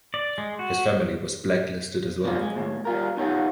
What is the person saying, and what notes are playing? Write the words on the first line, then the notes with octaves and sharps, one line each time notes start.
His family was blacklisted as well.
D5
G#3
F#4
C2 C3 F3 F4 B4 D5
G#3
D#2 A2
G3 F4 A#4
D#4 G4 C#5 F5 F#5